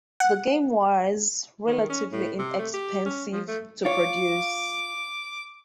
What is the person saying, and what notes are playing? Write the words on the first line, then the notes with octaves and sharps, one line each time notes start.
The game was "relatively inexpensive" to produce.
F#5
D#3
C#4
A2
C3
A3
G4
C#4
F3
A3
F4 C#5 D6